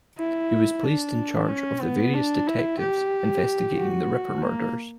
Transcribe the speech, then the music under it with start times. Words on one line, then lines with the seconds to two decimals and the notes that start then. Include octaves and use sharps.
He was placed in charge of the various detectives investigating the Ripper murders.
0.18 E4
0.84 D4
1.49 C#4
1.81 B3
2.15 D4
2.47 E4
2.80 G4
3.77 F#4
4.42 A#3